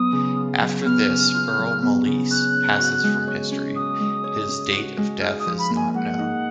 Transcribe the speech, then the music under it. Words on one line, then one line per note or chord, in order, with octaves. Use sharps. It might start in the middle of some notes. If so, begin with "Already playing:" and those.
After this, Earl Malise passes from history; his date of death is not known.
Already playing: F#3 B3 F4 D#6
C#3
F4
F#3
B3 F6
C#3
F4
F#3
B3
C#3
C#5 F#6
C#4
F#4
G#3
C#5
C#4
F#4 D#6
G#3
C#5
C#4
F#4
G#3
D#4 F6
D#6
F3
B5
A#3
G#5
G#2 F#5
D#4